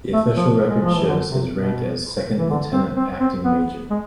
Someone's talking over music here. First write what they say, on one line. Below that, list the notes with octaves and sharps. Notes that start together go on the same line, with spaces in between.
The official record shows his rank as second lieutenant acting Major.
A3
F3
G#3
F3
E3
D3
C3
B2
E3
D3
C4
C4
C4
B3
G#3